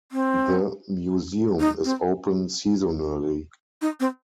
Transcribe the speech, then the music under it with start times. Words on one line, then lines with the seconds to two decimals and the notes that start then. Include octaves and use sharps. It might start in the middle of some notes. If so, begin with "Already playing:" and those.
The museum is open seasonally.
0.12 C4
1.60 D#4
1.85 C4
3.82 D#4
4.00 C4